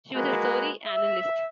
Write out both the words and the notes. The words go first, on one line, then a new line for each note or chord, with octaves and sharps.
She was a story analyst.
G#3 A#3 F#4 A#4 B4
E5